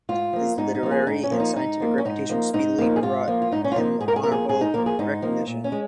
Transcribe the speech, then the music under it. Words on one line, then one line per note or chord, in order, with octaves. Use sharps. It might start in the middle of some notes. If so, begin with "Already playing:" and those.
His literary and scientific reputation speedily brought him honorable recognition.
G#2 F4
F3 A#3
G#2 D#4
D#4
F3 A#3
G#4
G#2 D#4
C#4
F3 A#3
D#4
G#2 D#4
F3 A#3
C#4
G#2 D#4
F3 A#3
G#2 D#4
F3 A#3
G#4
G#2 F4
F3 A#3
F4
G#2 D#4
C#4
F4
F3 A#3 D#4
G#2 G#4
A#4
G#4
F3 A#3 A#4
G#4
G#2 G#4
D#4
F3 A#3 A#4
G#4
G#2 D#4
F3 A#3
A#2
C#4
G#3